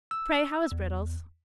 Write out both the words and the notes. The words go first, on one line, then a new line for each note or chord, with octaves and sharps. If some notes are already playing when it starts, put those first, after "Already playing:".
Pray, how is Brittles?'
E6
E2